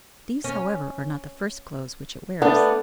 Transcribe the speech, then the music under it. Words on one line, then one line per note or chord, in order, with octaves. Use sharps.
These, however, are not the first clothes which it wears.
C#4
A3 B3 D4